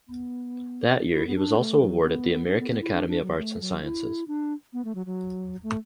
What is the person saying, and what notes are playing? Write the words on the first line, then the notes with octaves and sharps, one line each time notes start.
That year he was also awarded the American Academy of Arts and Sciences.
B3
E4
B3
D4
A3
F#3
B3
D4
B3
B3
E4
D4
D4
F#3
A3
F#3
E4
D4
B3
A3
F#3
F#3
A3